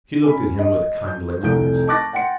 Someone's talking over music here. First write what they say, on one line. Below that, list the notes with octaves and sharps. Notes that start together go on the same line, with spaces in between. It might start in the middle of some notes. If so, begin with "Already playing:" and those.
She looked at him with kindling eyes.
C#4 B5
D#5
G6
F1 C2 A4 G6 D7
A5 C#6 D6 F#6 A6 A#6
F#5 G5 C6 C#7